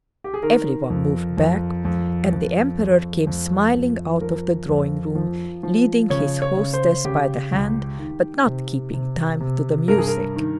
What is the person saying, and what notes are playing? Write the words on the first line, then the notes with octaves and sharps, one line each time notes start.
Everyone moved back, and the Emperor came smiling out of the drawing room leading his hostess by the hand but not keeping time to the music.
G4
G#4
D#3 A#4
F2
F2
F2
F2
F2
F2
F2
F3 A#4
F2
F3
F3
C#3 C#5
C#5
C#3
C5
C#3 G4
C#2
D#3
C3
C3
C3
G2 A#4
G#4
A#4
D#3